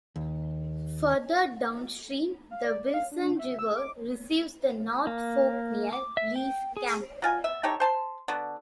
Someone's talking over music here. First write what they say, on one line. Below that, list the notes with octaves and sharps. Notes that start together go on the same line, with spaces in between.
Further downstream, the Wilson River receives the North Fork near Lees Camp.
D#2
F5
D5
F5
D4
E5
E6
D6
A#3
D6
E5
G5
G#4
F#3 F4 G#5
E5
D#4 G4 A4 C#5
C5 A5 C6
D3 B3 F#4